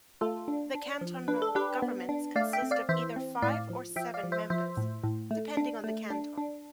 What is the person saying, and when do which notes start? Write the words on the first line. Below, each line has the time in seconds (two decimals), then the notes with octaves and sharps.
The cantonal governments consist of either five or seven members, depending on the canton.
0.21 A3 F4 A4
0.48 D4
0.75 D4
1.01 F3
1.28 D4 B4
1.42 A4
1.55 D4 G4 B4
1.82 B3
2.09 D4
2.36 A3 D5 F5
2.53 E5 G5
2.62 C4
2.71 D5 F5
2.89 E3 C5 E5
3.16 C4
3.42 A2 D5 F5
3.70 F3
3.96 F3 E5 G5
4.14 D5 F5
4.24 F3
4.32 C5 E5
4.50 F3 C5 E5
4.77 A2
5.04 A2
5.31 A3
5.57 D4
5.84 A3
6.10 D4
6.38 D4